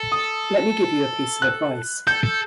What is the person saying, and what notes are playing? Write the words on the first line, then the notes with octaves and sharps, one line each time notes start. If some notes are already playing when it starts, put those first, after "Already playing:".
Let me give you a piece of advice.
Already playing: A4
D#6
F#6
A4 G6
A4